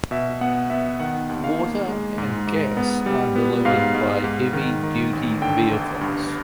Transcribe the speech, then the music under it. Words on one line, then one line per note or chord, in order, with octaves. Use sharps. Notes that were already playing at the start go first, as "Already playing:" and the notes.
Water and gas are delivered by heavy duty vehicles.
B2 E5
B3 F#5
B3 E5
D#3 F#5
D#2
F5
A#3
G#3
G#2
G#2
B3
G3
B3
G#2 F5
G#2
G#2
D#3
D#3
A1
D3 G5
G1
G2